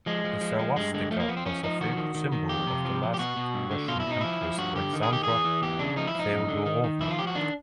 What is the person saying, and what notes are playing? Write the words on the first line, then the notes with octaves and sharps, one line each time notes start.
The sauwastika was a favorite symbol of the last Russian Empress Alexandra Feodorovna.
F3 G#3
F3
F3
F3
G2 G#3
D3 G#3
F3 A3
A#3
F3 B3
C4
F3 C#4
F3 D#4
D#3 F#4
D#3
D#3
D#3
F2 G4
C3
F3
F3
G4
B2 F#4
B2
G2
D3
B2 F4
E4
B2 D#4
F3 E4
F3
G2 F#4
D3 G4
D#3
G#4
D#3 G4
E3 G#4
E3
E2 G4
C#3 D4
F3 D#4
E4
F3 D#4
F#2
D3
D#3
D#3
F3 E4
F4
F3 G4
F#4
D#3 D4